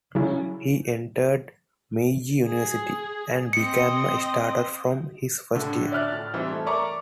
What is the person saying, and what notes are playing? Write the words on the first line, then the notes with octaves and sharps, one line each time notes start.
He entered Meiji University, and became a starter from his first year.
C#3 F#3 C#4 E4
G#4
C4 D#5 C#7
A2 D3
D5 E5 F6 F#6 A6
A2
E3 G3 C4 D#4 E4
A3
A#4 D5 E5 A#5 C#6 D6